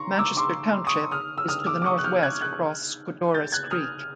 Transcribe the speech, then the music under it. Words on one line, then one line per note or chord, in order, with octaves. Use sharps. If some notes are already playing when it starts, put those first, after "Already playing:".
Manchester Township is to the northwest across Codorus Creek.
Already playing: A#5 C6 C#6
D6 E6
C6 D6
C#6 D#6
D#6 F6
E6
D#6 F6
D6 E6
D6
C#6 D#6
F#6
F6 G6
F#6 G#6
F#6 G#6
G6 A6
F#6 G#6
D#6 F6